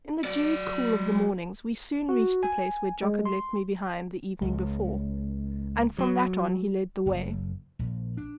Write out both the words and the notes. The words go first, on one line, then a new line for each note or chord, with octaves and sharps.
In the dewy cool of the morning we soon reached the place where Jock had left me behind the evening before; and from that on he led the way.
F#3 D5
F#4
G#5
G#3
C6
C#2
F#3
F#1
A#1
D4